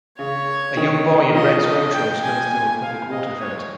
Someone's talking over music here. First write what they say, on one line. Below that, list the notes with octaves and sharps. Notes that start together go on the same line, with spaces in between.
A young boy in red swim trunks runs through a public water fountain.
C#3 C#5
D#3
D#3
F3 D#5
D#5
G5
G#5
G#5
F5
D#5
C#5